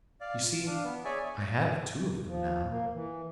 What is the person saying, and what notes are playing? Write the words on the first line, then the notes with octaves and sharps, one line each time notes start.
You see, I have two of them now.
D5 F5
F4
D4 F5
B3
G#4 C#5 D5 E5 G#5
F3
A#3
E3